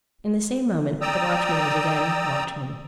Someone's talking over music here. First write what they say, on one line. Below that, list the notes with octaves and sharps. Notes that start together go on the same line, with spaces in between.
In the same moment the watchman was again watchman.
D5 G5 A#5 D#6 E6